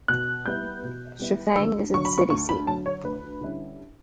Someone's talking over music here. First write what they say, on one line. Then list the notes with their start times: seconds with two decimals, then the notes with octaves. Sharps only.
Shifang is its city seat.
0.08 B2 F#6
0.46 G3 B3 E4 G6
0.83 B2
1.19 G3 B3 E4
1.56 D2 E6
1.93 D3 F#3 C#6
2.05 B5
2.18 C#6
2.30 D2 C#6
2.49 B5
2.67 F#3 A5
2.70 D3
2.86 C#5
3.04 D2 B4
3.41 D3 G3 C#4 E4